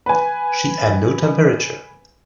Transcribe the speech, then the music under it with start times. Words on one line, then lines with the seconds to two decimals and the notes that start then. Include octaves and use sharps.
She had no temperature.
0.06 B4 G#5